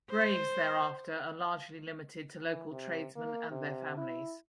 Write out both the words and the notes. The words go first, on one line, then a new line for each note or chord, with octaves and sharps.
Graves thereafter are largely limited to local tradesmen and their families.
C5
E3
C3
A#3
C3
E4